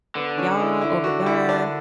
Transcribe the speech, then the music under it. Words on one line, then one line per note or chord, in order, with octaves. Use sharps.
"Y'all, over there."
D3 B3
C#4
E4
E4
F#4
E4
D4